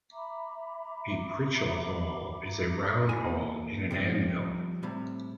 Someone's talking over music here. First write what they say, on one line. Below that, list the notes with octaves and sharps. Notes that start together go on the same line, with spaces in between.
A pritchel hole is a round hole in an anvil.
E5 A#5 B5 D6
A#3 E4 A#4 G#5
C3 F3 G3 G5
A2 C3 G3